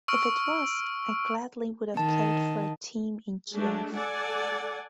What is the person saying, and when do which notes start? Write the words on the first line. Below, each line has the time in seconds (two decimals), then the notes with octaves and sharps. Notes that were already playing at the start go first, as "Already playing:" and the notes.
If it was, I gladly would have played for a team in Kiev.
0.08 C#6 E6 F6 D7
1.97 D#3 A5
3.53 G#3 A3 D4
3.97 A4 D5 F#5 G#5